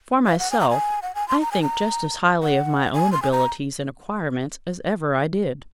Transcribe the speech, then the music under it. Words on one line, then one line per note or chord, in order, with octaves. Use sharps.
For myself, I think just as highly of my own abilities and acquirements as ever I did.
F5
F#5
G#5
A#5
G#5
F#5
G#5
C6
A#5
G#5
A#5
F#5
G#5
C6
G#5
A#5